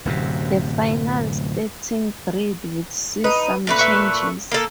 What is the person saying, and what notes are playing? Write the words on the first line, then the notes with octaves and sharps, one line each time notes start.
The final starting grid would see some changes.
D1 F#2 C3
D#4 B4 D#7
A#2 A3 B4
E5 C#6
A#3 A4